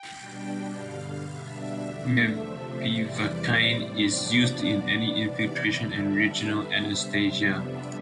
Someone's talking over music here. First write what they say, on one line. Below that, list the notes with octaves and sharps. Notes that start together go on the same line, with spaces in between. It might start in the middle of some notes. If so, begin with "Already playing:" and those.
Mepivacaine is used in any infiltration and regional anesthesia.
Already playing: G5
B2 G3 D4
G2 D3 G3 F5
B2 G3 D4 E5
E2 D3 A3 D4
C3 F3 A3 C4
E2 C3 E3 G3 D5
A2 G3 C4
E2 C3 F3 B3 D4
B2 B3 D4
C3 E3 B3 D5
F2 D3 G3 D4 E5
D3 G3 B3 D4 E5
C3 G3 C4
F2 C3 G3 B3 D4 E5